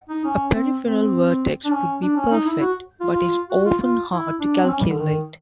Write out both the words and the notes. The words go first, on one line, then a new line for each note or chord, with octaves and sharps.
A peripheral vertex would be perfect, but is often hard to calculate.
D#4
C#4
C4
C4
D4
C#4
D4
C#4
D#4
E4
F#4
F4
F4
F#4
F4
F4
E4
D4
C4
C#4
G3
D3
D#3